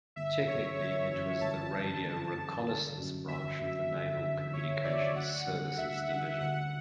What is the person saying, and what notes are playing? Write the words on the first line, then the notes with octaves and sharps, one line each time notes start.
Technically it was the Radio Reconnaissance Branch of the Naval Communications Services Division.
G1 E5
F#2 E3 C#5
G1 C#5
F#2 E3
G1 A5
F#2 E3
G1
F#2 E3
G1
F#2 D3 F#3
G1 E5
F#2 D3 F#3
G1
F#2 D3 F#3
G1 C#5
F#2 D3 F#3 D5
D2 F#5
D3 G3 D4
D2 E5
D3 G3 D4 F#5
D2 F#5